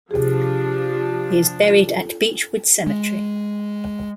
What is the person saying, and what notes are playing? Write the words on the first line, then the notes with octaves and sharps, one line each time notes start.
He is buried at Beechwood Cemetery.
C3 F3 D4 G4 G#4
G#3